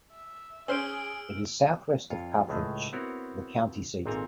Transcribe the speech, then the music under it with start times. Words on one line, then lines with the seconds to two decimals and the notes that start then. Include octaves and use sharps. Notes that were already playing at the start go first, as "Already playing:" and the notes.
It is southwest of Carthage, the county seat.
0.12 E5
0.68 C#4 G#4 C5 C6 E6 F6 D7
2.10 F2 F4 C#5
2.49 C#2 A2 G#3 A3
2.93 B3 C4 E4 F#4 A#4 C#5
4.06 G#1 A#2 C4 A4 G#5 A#5